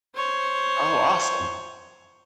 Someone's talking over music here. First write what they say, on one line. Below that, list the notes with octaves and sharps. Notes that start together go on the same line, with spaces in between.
Oh, awesome.
C5 C#5